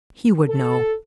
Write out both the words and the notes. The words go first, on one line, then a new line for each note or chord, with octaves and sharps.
He would know.
A4